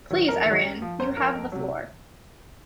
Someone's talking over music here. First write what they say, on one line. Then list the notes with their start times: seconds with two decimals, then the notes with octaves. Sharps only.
Please, Iran, you have the floor.
0.10 D#3 F#3
0.28 F2 A#4
0.46 D#3
0.51 F#3
0.64 F#2
0.82 F3
1.00 F#2 C5
1.17 F3 A#4
1.35 F2
1.52 C3 F#3